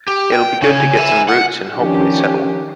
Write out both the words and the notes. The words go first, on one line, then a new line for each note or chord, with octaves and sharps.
It'll be good to get some roots and hopefully settle.
G4
G5
C#3 C#4
E5 G#5
F#5
D#3 F3 C#4 D4 G4